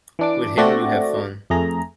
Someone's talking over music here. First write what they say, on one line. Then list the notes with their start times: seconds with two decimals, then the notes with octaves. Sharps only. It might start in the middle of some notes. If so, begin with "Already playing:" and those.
With him, you have fun.
0.19 E3 D4 D6
0.57 A3 C4 D4 F#4 D5 A#6
1.50 F2 A3 G#4 A#5